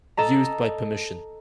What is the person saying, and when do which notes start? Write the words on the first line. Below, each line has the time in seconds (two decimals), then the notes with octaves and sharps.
Used by permission.
0.17 A4 D#5 A#5